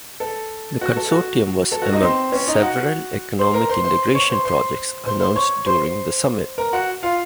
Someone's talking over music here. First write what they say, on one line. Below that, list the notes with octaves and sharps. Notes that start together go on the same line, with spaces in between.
The consortium was among several economic integration projects announced during the summit.
A4
F#4
A4
F#4
A4
F#4
D#4 D#5
C4 C5
C#4 C#5
D#4 D#5
F#4 F#5
C5 C6
A#4 A#5
C5 C6
C5 C6
C#5 C#6
C5 C6
C5 C6
C5 C6
C5 C6
C#5 C#6
C5 C6
A#4 A#5
F#4 F#5
F4 F5